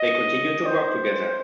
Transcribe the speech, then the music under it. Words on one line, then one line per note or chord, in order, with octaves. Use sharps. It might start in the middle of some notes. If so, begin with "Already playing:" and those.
They continue to work together.
Already playing: D#5
C5